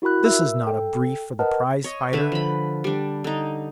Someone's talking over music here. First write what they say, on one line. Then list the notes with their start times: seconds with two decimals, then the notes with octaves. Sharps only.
This is not a brief for the prize-fighter.
0.02 E4 F#4 A#4 B5 F#6
0.24 A#4 E5 E6
0.66 A4 G5
1.39 A#4 B4 D#5 F#5 A5 F6
1.84 C#5 D#5
2.13 D3 B4 E5
2.32 F3 B5
2.84 G3 D4
3.24 D3 D#4